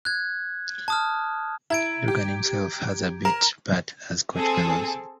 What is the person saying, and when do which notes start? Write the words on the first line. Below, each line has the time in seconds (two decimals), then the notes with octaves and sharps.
Dugan himself has a bit part as Coach Bellows.
0.05 F#6 G#6
0.88 A5 D#6 F6
1.70 E4 A#5 G#6 D7
2.08 G4
3.25 A#4 A#5
4.34 C4 G#4 A4